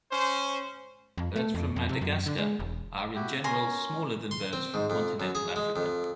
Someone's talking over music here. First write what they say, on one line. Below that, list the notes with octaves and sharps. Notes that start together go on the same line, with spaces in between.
Birds from Madagascar are in general smaller than birds from continental Africa.
C#4 C5
F2
A3
F2
F2
C3
F#2
D3
G#3
E1
E4 F#4 G4
C#4 A#4 G#5 C6
C6
C4
G#2
F2
F#2
G#4
G#3
F2